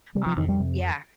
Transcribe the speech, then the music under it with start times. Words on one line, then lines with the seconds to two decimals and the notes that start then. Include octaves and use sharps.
um yeah.
0.15 C3 G3
0.26 F3
0.37 F2 D#3
0.48 G3
0.59 C3